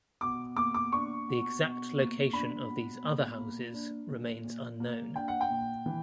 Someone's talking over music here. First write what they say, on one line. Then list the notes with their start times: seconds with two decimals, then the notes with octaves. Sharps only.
The exact location of these other houses remains unknown.
0.21 B2 D6
0.56 A#3 D6
0.74 D6
0.92 D4 C#6
1.28 B2
1.63 B2
1.98 A#3
2.33 D4 B5
2.69 B2
3.03 A#2
3.38 A#3
3.74 D4
4.09 A#2
4.44 A#2
4.80 A#3
5.15 D4 G5
5.28 F#5
5.41 G5
5.50 A#2
5.86 E3